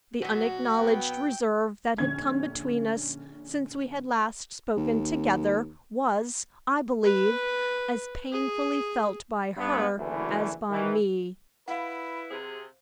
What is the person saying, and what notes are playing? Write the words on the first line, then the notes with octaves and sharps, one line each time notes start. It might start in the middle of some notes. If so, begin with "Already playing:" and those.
The unacknowledged reserve that had come between us since we had last spoken together, was, I believe, as painfully felt by her as by me.
B2 F#3 F#4
B3 G5
A#1 D3 C#4 G#6
D#2
B4
G#4
G2 B3
F#1 D2 E3
D#3 E3
E4 B4 F5 F#5
C3 G#4 C5